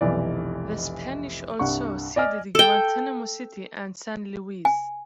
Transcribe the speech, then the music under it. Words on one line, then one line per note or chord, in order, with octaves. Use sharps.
The Spanish also ceded Guantanamo City and San Luis.
F1 B1 E3 D5
C2 G2 F#5 C#6
D5 D#5 G#5 F6
A4 G5
G#5